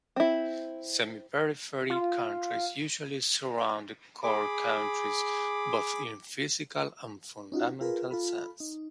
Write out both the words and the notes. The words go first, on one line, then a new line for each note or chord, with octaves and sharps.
Semi-periphery countries usually surround the core countries both in a physical and fundamental sense.
C4 E4
F4
G#4 B5 D6
C#4 D#4 F4 F#4
F4 G#4 A#4 B4
F4 A4 B5
D#4